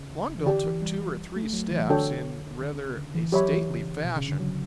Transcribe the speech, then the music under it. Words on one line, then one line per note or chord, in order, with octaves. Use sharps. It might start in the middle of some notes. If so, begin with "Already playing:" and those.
Longbill took two or three steps in rather a stately fashion.
Already playing: C#3
E3
D3 G4 D5 G5
E3
G3
A3
F#3
E3
D3 D4 F#4 A4 C#5 G5
D3
C#3
C#3
D3
E3
F#3 G4 C#5 E5 B5
E3
C#3
B2
C#3
D3
F#3